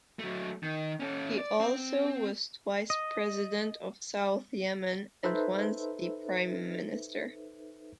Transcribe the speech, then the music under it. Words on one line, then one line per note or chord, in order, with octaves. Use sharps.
He also was twice president of South Yemen and once the Prime Minister.
F#3 A3
D#3
C#4 A4
D5
C4
D#5
D#4 A4 B4 C5 E5